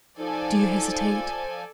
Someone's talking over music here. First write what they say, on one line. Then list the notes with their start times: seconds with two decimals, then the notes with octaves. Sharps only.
Do you hesitate?
0.17 F3 D#4 A4 D5 G#5